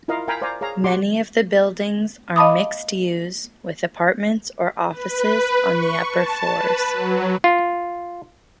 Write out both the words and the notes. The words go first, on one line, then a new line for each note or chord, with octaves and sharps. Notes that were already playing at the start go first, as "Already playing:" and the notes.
Many of the buildings are mixed-use, with apartments or offices on the upper floors.
E4 F4 A#4 D#5 F5
A#4 F5 G5 G#5 A#5 B5
C5 D5 F5 G#5 A#5
G#4 C#5 F5 A#5
F#4 G4 C6 D6
D#5 F5 A5 B5 D6 D#6
B4
C#6
A5
B4
F#3
F4